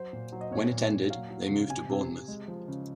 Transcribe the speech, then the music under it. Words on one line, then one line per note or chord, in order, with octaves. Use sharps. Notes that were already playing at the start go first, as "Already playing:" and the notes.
When it ended, they moved to Bournemouth.
Already playing: F#3 C5
A#2
F#3
D#5
A#2 C#5
A#2
A#2
F#3 F5
F#3
C#3
C3 G#5
C3
C3
G#3
F3
C#3